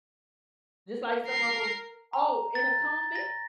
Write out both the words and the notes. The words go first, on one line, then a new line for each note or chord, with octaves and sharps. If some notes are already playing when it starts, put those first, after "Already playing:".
just like some of 'em Oh, in a comment,
A#4 C7
A#5
A6
A#6